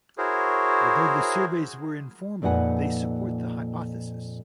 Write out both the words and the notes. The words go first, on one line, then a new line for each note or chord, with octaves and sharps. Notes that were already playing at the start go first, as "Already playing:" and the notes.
Although the surveys were informal, they support the hypothesis.
E4 F#4 G#4 A#4 C5 C#5
F2 A#2 D#4 B4 F#5 G#5